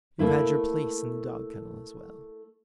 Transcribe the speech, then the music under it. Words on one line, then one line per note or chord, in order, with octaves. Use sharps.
You have had your place in the dog-kennel as well.
A3 A#3 E4 B4